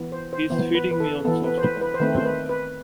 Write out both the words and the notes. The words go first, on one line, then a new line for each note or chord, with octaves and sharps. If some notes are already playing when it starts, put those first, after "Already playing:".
He's feeding me on soft corn, thought I.
Already playing: E3 B3
C5
C5
E3 B3 C5
B4
B4
A4
E3 B3 A4
B4
C5
B4
B4
C5
D#3 A3 C4 B4
C5
B4
B4